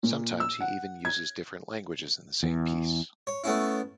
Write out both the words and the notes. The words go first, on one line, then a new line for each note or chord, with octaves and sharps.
Sometimes he even uses different languages in the same piece.
A#2
E6
F#5
G#6
E2
C#5
A3 B3 C#4 E4